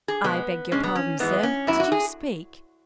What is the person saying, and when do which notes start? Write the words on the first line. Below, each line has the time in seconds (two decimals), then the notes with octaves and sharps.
I beg your pardon, sir, did you speak?
0.08 G#4
0.24 B2 G#3 B3
0.72 B2 G#3 C#4
0.84 B3
0.95 C#4
1.19 G#2 E3 G#3 B3
1.43 C#4
1.67 F#2 F#3 E4
1.80 F#4
1.92 G#4